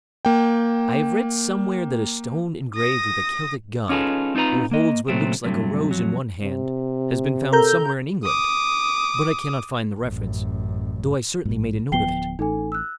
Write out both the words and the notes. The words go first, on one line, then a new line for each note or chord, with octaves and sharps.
I have read somewhere that a stone engraved with a Celtic god, who holds what looks like a rose in one hand, has been found somewhere in England; but I cannot find the reference, though I certainly made a note of it.
A#3 G5
D#6 A#6
C#4 D#4 F4 G#4 A4 B4
C4 D#4 F4 B4 A#5
A#3 D#5
A#2 C#3 F#3 A3 C4
G2 C3 F#3 A3
F2 F#3
C3
A4 A#4 A#5 G6
D6 D#6
A1 F#2
A#1 G#2
D1 F3 B3 G5 C7 G7
A1 D#4 A4 G#5
E6 F#6